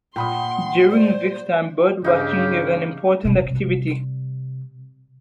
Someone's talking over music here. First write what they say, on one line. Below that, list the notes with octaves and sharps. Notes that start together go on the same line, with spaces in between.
During this time bird watching is an important activity.
A#2 F#5 G5 B5 C6 D#6
C5 D5
G2 C#3 D#4 G4 F5
C3 G3